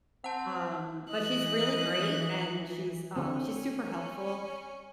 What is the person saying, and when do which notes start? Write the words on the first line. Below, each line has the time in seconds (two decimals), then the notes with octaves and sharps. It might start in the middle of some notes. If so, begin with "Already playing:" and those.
Um, but she's really great, and she's, uh, she's super helpful.
0.24 C4 F#5 A5
1.10 E3 D#5 F#6
3.16 D3 C4 C#4